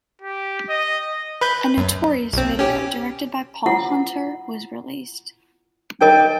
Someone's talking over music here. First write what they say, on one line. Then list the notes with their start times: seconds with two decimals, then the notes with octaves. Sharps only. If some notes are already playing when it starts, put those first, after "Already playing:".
A notorious video directed by Paul Hunter was released.
0.22 G4
0.69 D#5
1.41 B4 B5 G6
1.77 F#2
2.33 B1 C4
2.59 C#4 G4
3.66 E4 F4 F#5
6.01 D#4 A#4 D#5 G5